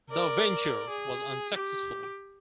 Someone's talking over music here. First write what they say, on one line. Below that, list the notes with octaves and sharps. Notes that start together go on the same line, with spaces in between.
The venture was unsuccessful.
A#4 D5
G#4
G4